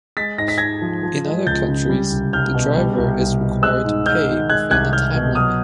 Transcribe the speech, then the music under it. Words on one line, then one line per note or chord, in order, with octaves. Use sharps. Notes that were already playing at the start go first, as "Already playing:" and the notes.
In other countries, the driver is required to pay within a time limit.
G#3 A6 B6
G#2 A#6
B6
G#2 G#6 A#6
F3
F3
G#3
C#2 G6 A6
C#3
G3
C2
C2 F6 G6
B2
G3
C2
C2
B2
G#3 E6 F#6
G#2
G#2 F6 G6
D#3
G#3 F#6 G#6
C2 F#6 G#6
C2 F6 G6
B2
F#3 D#6 F6